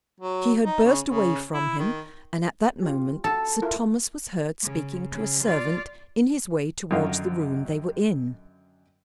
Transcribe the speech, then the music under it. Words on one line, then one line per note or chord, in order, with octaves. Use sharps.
She had burst away from him, and at that moment Sir Thomas was heard speaking to a servant in his way towards the room they were in.
F#3
D#4
C#3
C#3
E4
D#3
F4 G4
A4
E4 F4 A#4
C#3
C#3
F4 D5
F#2 D3 D#3 F4 D#5 F5